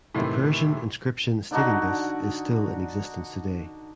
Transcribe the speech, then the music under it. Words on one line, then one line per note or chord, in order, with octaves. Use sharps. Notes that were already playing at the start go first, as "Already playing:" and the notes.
The Persian inscription stating this is still in existence today.
A2 C3 D#3 E3 E4
D3 D4 D#4 F#4